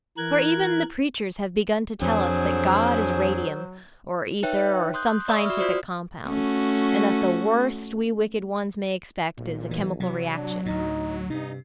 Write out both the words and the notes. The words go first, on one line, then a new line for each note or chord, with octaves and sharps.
For, even the preachers have begun to tell us that God is radium, or ether or some scientific compound, and that the worst we wicked ones may expect is a chemical reaction.
E3 A#4 F#6 G#6
F2 D3 F#3 G#4 C5
D#4 B4 C#5 E5 G5 F#6
C6 D#6 F#6 G6
D5 E5 B5 C#6 D#6 E6
F#4 F6
F4 F#4 C5 D5 D#6
A3 C#4 F#4
B1 A#2
E3
C3 F#3
D4
D2 A2 D#4
G2 C3 D#4